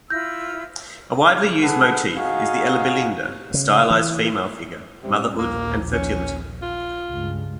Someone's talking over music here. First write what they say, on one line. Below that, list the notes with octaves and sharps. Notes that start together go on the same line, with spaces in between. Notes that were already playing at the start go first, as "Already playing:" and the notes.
A widely used motif is the elibelinde, a stylized female figure, motherhood and fertility.
E4 F4 E6 G6 A#6
G#4 A4 B4 F#5
D#4 F#4 G#4 F5
C#3
E3
A2 C3 G3 C#4
A#1 D#2 A#3
C#4
F4
C#2 G2 G#3